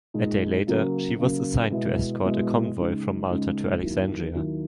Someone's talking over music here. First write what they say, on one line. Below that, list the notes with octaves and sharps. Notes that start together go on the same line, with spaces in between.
A day later, she was assigned to escort a convoy from Malta to Alexandria.
A#2 G#3 D#4 G#4
C#3 F#3 A#3
C#3 F#3 A#3
B2 G#3 B3 E4
B2 G#3 B3 E4
C#2 C#3 G#3 D#4
C#2 C#3 G#3 D#4
D#2 D#3 F#3 A#3 E4
D#2 D#3 F#3 A#3 E4